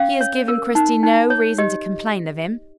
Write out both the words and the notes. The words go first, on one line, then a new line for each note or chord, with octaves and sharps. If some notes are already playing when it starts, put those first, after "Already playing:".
He has given Cristy no reason to complain of him.
Already playing: C#4 F5
C#5
A#4
D#4
D#4
C#5
G4 D#5